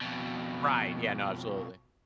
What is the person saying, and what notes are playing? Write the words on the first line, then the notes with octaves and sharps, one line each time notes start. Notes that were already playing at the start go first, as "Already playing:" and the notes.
Right, yeah, no, absolutely.
F2 B2